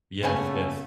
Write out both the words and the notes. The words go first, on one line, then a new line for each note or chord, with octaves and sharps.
Yes, yes.
A#2 C#3 A3 B3 C#4 C#5 G#5